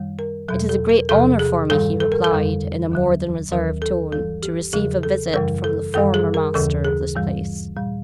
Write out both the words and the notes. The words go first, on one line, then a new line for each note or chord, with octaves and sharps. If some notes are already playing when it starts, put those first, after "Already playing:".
"It is a great honor for me," he replied, in a more than reserved tone, "to receive a visit from the former master of this place."
Already playing: F#2 D#3 G3
A#4
E2 B2 F#3 A4
A4
A#4
E2 C3 F3 A4
G#4
G2 D#3 G3 A4
A4
A#4
A4
F2 D3 G3
D#2 D3 F#3
D#2 D#3 F#3 A#4
A4
G2 E3 G3 A4
G4
E2 C#3 F3 G#4
A4
F#2 C#3 E3 G3 A#4
A4
F#2 D#3 G3 A4
G#4
A#4
D#2 C#3 E3 A4
G#4
G2 E3 G3
A#2 G3